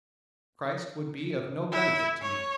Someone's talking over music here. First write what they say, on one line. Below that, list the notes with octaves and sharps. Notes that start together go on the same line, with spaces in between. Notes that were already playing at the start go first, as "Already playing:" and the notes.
Christ would be of no benefit to me.
E4
C#5